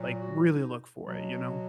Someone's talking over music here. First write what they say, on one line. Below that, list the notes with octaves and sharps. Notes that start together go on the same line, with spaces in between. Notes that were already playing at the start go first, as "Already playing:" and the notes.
like, really look for it, you know?
Already playing: A#2 F#3
F#4
D#4
B2 F#3